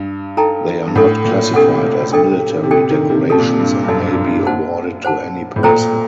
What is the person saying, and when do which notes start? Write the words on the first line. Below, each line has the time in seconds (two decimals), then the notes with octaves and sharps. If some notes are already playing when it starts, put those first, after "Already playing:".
They are not classified as military decorations, and may be awarded to any person.
Already playing: G2
0.37 D#4 A4 D#5 G5 A#5
0.87 G2
0.95 A2 D4 A4 D#5 F#5
1.25 A#2
1.54 C3 D4 A4 D#5 F#5
2.13 D4 A4 D#5 G5
2.64 C3
2.71 D3 D4 A4 D#5 G5
2.91 D#3
3.10 C3
3.30 C3 A4 D#5 A5
3.38 A#2
3.48 C3
3.59 G2
3.84 G2
3.88 F#2 A4 D#5 A5
4.07 G2
4.27 G2
4.47 C5 F#5 A5
5.05 C5 F#5 A5
5.56 A2
5.63 A#2 A4 C5 G5 A#5